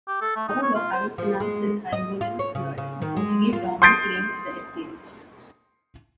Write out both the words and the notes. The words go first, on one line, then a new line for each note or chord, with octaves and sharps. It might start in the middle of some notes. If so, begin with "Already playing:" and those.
However, having financed his Angolan years, the Portuguese government claimed the estate.
G4
A4
A3
D#4
C#5
F4
C5
F3
G#3
D#5
F4
C#5
C#3
C#3
D#3
G#3
F4
C6 D#6 G6 A6 C7 D7